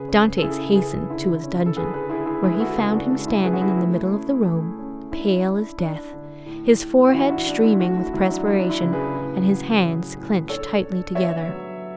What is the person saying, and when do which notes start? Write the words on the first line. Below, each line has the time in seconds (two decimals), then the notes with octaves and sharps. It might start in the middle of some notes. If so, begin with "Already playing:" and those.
Dantes hastened to his dungeon, where he found him standing in the middle of the room, pale as death, his forehead streaming with perspiration, and his hands clinched tightly together.
Already playing: C#3 G#4 B4
0.08 C#4
0.38 A4
0.42 C#3 E4 G#4
0.75 C#3 G#4 B4
1.10 D3 E4
1.43 C#4
1.66 A4
1.76 D3 G#4 B4
1.94 G#4 B4
2.09 D3 E4 G#4
2.26 E4 G#4
2.43 G#3 E4 G#4
2.54 B4
2.60 F#4 A4
2.77 C#3 E4 G#4
2.94 D4 F#4
3.10 G#3 D4
3.27 E4
3.44 C#4 G#4 B4
3.53 F#4
3.61 E4 G#4
3.77 A3
4.12 C#4
4.45 A3
4.79 C#4
5.12 D4 E4
5.46 D4
5.78 D4
6.13 D3
6.46 A2
6.79 A2
7.08 F#4
7.13 E3 E4
7.30 D4 F#4
7.46 A2 D4
7.63 E4
7.74 E4
7.80 A3 D4 F#4
7.97 E4
8.13 F#3 E4
8.30 D4
8.47 D4 E4
8.59 D4
8.70 E4
8.81 C#3
8.93 G#4 B4
9.15 A2
9.49 F#3
9.81 C#4
10.15 A2
10.49 D4 A4 C#5
10.83 D4
11.15 B3 C#5 E5
11.49 F#3